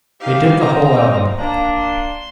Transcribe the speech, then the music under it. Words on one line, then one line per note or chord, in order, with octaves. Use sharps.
They did the whole album.
D#4 G4 F5
C4 D#4 A#5
A#3 D4 A#5
C6